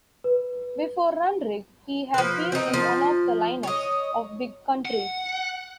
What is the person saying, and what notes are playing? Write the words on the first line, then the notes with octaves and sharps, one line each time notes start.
Before Runrig, he had been in one of the lineups of Big Country.
B4
F3 B4
C4 D#4
F3
C#5 D#5
F#5